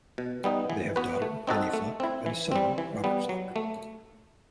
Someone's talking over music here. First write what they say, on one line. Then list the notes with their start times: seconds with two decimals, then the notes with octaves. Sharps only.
They have a daughter Penny Fluck and a son Robert Fluck.
0.18 B2
0.44 G3 B3 D#4
0.70 E3
0.96 B3 F#4 B4
1.22 A3
1.47 C4 D#4 F#4 A4
1.74 A3
2.00 C4 E4
2.26 E3
2.52 G3 C4
2.78 E3
3.04 G3 B3
3.29 F#3
3.56 A3